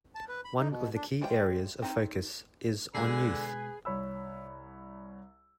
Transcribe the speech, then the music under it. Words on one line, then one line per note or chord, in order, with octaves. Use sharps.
One of the key areas of focus is on youth.
A5
B4
B5
D#4
B2
D4
G3 G#3 F4 C5 G5
C4 D#4
B2 D3 G#3 G#4 B4 G#5
C2 C#5 B5 E6